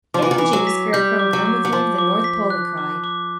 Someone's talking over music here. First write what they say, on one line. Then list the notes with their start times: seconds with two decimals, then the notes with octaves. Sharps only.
"Get in, Jimmy Scarecrow, and come with me to the North Pole!" he cried.
0.14 F3 D6
0.22 E3
0.31 D#3
0.38 E3 D6
0.53 F#3
0.67 B6
0.93 G3 G6
1.19 D6
1.33 F#3
1.46 D6
1.65 F#3
1.72 F3 D6
1.98 D6
2.24 B6
2.50 F#6
2.78 D6
3.04 D6